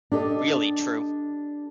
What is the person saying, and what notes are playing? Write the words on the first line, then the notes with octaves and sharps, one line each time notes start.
Really true.
D4 G4 A4 D#5